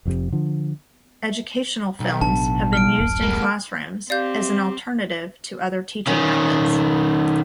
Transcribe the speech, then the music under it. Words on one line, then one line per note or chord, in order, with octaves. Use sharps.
Educational films have been used in classrooms as an alternative to other teaching methods.
F1 F2 G#2 C3
D3 F3
B1
A1 D4 A5
F6 D7
D1 A1 F#2
G#3 A#3
C4 G4 D5 F5 G6
D#3 C#4